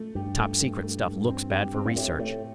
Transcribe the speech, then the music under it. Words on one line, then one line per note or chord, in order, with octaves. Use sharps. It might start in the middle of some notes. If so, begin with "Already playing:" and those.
The topsecret stuff looks bad for research.
Already playing: A3
G2 G4
A3
A3
A3
A3
C4
G4
C4
A#2
A2 G4
A2 A3